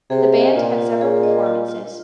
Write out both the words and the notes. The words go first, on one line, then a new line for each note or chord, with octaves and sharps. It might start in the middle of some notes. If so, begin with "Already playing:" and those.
The band had several performances.
C3 G#4
D#5
A#2 F4
F4
G#4
D#5
F4
F4